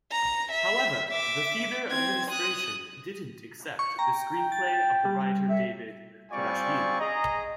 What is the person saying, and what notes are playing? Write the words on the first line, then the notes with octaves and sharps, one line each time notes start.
However, the theater administration didn't accept the screenplay of the writer David Turashvili.
A#5
E5
E5 D6
C4 G#6
D#6 F#6
C#6
G5 A#5
A6
G3
A4 C#5 E5
G3 C4 F4 D5 G#5 C#6
G#4 D#5 A#5